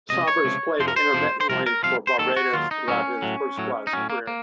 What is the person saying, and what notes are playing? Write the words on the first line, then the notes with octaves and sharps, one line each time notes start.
Sobers played intermittently for Barbados throughout his first-class career.
C#2 C3 F3 D#5
C#5
C#2 C3 F3
F2 C3 F3 C5
A#4
C5
F2 C3 F3
C5
C2 C3 F3 A#4
A#4
C2 C3 F3 F5
C5
D#2 D#3 F#3 A4
F#4
D#2 D#3 F#3 F4
D#4
A2 F#3 C#4
A2 F#3
A2 F#3
D#4
A2 F#3 C#4
A#3
A#3